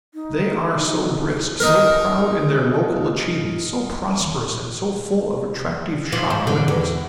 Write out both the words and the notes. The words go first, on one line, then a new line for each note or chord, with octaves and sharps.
They are so brisk, so proud in their local achievements, so prosperous and so full of attractive shop-windows.
D#4
D#4 A#4
F3
G#2
D3
E2